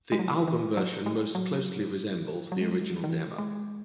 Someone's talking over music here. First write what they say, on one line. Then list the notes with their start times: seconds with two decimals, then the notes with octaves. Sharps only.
The album version most closely resembles the original demo.
0.12 G#3
0.19 F#3
0.48 E3
0.77 F#3
1.06 G#3
1.35 F#3
2.52 F#3
2.61 G#3
2.72 F#3
2.82 G#3
2.92 F#3
3.04 D#3
3.09 E3
3.38 G#3